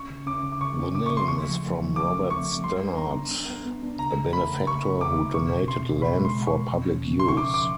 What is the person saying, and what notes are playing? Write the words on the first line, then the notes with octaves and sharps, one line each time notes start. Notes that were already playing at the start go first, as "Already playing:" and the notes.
The name is from Robert Stanard, a benefactor who donated land for public use.
Already playing: C#4 C#6
C#3
C#4 D6
C#3
D6
C#3 C#6
C#4
C#3 D6
C#6
C#3
C6
A3 C#6
F3
A3
F3
C4 D6
C4
A3 C#6
F3
G3 C6
D4
B3 A#5
D4
D4
B3
B3
D4
C#3 A#5
A3
A3 B5
C#3
C#3 C#6
C#3
C#3 D6
C#3
B2 C#6
B2
C4 C6
B2
B2 B5
G#3
C6
B2
C#6
B2
F3
C#4
C#3
C#4 C6
C#6
C#3 D6
F3 D6